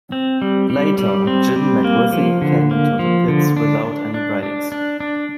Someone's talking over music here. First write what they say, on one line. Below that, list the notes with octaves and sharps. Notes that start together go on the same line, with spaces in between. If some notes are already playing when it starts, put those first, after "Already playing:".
Later, Jim McWithey came into the pits without any brakes.
C4
G3
G3
G3
C4
G3
A#3
F3
D3
A#3
F3
D3
D4
D4
D4
D4
D4
D4